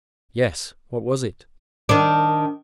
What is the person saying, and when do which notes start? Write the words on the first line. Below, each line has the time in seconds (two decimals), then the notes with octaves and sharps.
"Yes, what was it?"
1.89 D#3 D4